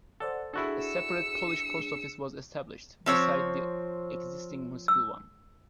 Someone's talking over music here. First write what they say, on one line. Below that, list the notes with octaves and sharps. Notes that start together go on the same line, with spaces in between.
A separate Polish post office was established, besides the existing municipal one.
A4 C5 D5 F#5
D4 E4 F#4 G#4 A4
E6 C#7
F3 C4 C#5
E6